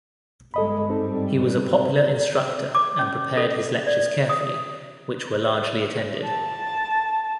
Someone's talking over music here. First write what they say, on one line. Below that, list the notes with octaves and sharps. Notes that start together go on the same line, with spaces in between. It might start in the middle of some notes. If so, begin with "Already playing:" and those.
He was a popular instructor and prepared his lectures carefully, which were largely attended.
G1 G2 G#3 A4 D#5 B5
G#2 G3 C4 D#4 A4
D6
C#4
A4
D5
D#6
A5